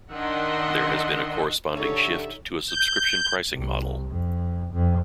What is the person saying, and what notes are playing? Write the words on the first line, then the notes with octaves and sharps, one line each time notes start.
There has been a corresponding shift to a subscription pricing model.
D#3 D4 D#5 E5 F#5 C6
D3 D#4 G4 A4 C#5 E5 C#6
G6
C2
F2
F2